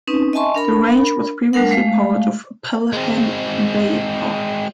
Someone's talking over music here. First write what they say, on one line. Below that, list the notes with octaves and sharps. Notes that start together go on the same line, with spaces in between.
The range was previously part of Pelham Bay Park.
C4 C#4 D#4 B4
D#5 E5 G#5 A5 C6 C#6
D4 A#4 B5
G3 A3 D4 A#4 F#5
G#3 A3 F5
G#3 C4